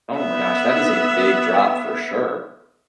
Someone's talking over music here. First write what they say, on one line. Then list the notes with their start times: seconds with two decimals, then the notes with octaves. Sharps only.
Oh my gosh, that is a big drop for sure!
0.16 B3 E5